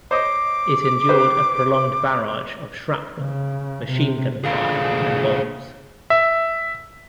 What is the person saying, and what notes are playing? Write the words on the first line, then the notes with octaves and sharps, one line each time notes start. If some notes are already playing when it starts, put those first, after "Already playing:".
It endured a prolonged barrage of shrapnel, machine-gun fire and bombs.
C5 C#5 D#5 D6
G4 B4 C5
C#3
C3
D2 A#2 G#4 F5
E5